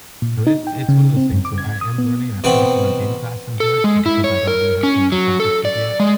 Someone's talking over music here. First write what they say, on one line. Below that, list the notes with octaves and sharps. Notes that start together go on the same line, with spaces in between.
No, it's it's one of those things where I am learning, and I feel like when I'm in class, I'm good, but because I don't really have someone to practice with yet,
A#2
D#4
G5
C#3
C4
F#2
D6
G#6
D#6
B3
B2 E3 C4 F#5 B5
A4
G#3
E4
C#5
A#4
C#4
F#3
A4
D5
G#3